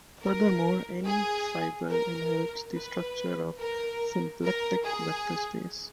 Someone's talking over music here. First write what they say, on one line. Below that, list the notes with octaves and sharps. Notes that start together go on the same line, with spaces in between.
Furthermore, any fibre inherits the structure of a symplectic vector space.
A#4
G#4
A#4
B4
A#4
A#4
G#4